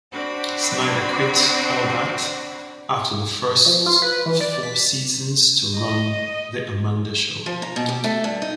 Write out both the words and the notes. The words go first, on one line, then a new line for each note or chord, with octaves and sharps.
Schneider quit "All That" after the first four seasons to run "The Amanda Show".
C4 D4 F#4 B5
F3
F4
B4
E3
D5
B6
D#5
F3
A#5
B2
G4
A3
G2
D#4